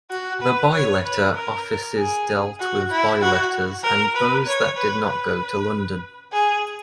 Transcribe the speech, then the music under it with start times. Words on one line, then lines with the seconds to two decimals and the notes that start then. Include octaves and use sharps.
The bye-letter offices dealt with bye-letters and those that did not go to London.
0.11 F#4
0.41 B4
0.73 C#5
1.04 B4
1.35 A#4
1.97 G#4
2.60 F#4
2.91 E4
3.22 F#4
3.84 A#4
4.15 B4
4.47 C#5
4.77 B4
5.09 B4
6.33 G#4